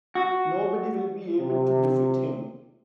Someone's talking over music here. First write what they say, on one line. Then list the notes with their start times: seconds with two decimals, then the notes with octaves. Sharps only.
Nobody will be able to defeat him.
0.15 F#4
1.39 C3